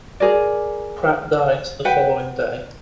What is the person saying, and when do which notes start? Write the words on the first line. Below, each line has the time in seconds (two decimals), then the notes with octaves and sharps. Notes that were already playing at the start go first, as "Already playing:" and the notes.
Pratt died the following day.
0.20 G#4 A#4 D5
1.85 B4 F#5 G5